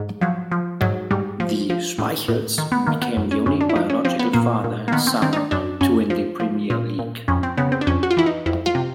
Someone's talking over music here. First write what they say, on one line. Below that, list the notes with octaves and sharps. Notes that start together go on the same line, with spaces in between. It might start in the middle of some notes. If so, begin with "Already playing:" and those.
The Schmeichels became the only biological father and son to win the Premier League.
Already playing: G#2
F3 F#3
F3
G#2 F#3
G#2 G3
F3
F3
A2
A2
D#3
B3
D#3 A#3
B3
F#2
C#4
F#2 C#4
D4
E4
F3 D#4
C#4
F3 C4
B3
A#2 A#3
A#2
A#3
D#3 B3
C4
D#3 C4
D#4
D4
F#2 D4
F#2 C#4
F3
F3
A#2
A#2
F2 C#4
C4
C#3 B3
C4
D4
F2 C#4
F#4
F4
E3 E4
D#4
F2 E4
F4
C3